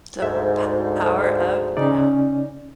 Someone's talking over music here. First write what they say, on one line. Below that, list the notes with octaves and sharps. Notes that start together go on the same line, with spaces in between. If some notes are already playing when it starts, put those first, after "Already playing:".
The P Power of Now.
D2 G#2 E5
C#3 C#4 D#4 D5